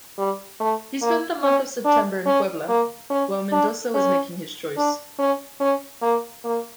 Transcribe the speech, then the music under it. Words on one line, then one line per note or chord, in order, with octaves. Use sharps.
He spent the month of September in Puebla, while Mendoza was making his choice.
G3
A3
A#3
C#4
D4
C#4
A#3
C#4
D4
C#4
D4
C#4
C#4
A#3
A#3